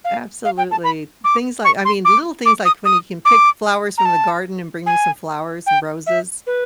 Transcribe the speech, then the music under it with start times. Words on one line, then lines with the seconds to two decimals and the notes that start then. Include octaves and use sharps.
Absolutely. Things like I mean, the little things, like, when he can pick flowers from the garden and bring me some flowers and roses,
0.05 F5
0.45 F5
0.58 G5
0.71 A5
0.84 B5
1.24 D6
1.64 C#6
1.85 C6
2.05 D6
2.46 D6
2.65 D#6
2.85 D#6
3.25 D6
3.98 A#5
4.05 A5
4.86 G#5
5.66 G5
6.07 E5
6.47 B4